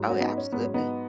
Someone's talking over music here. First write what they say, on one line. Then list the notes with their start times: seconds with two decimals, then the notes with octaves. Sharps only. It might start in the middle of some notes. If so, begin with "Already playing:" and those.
Oh, yeah, absolutely.
Already playing: G#2 F#3
0.09 C#4 F#4
0.21 B3 D#4
0.37 C#4
0.52 G#2 F#3 B3
0.64 C#4
0.74 B3 D#4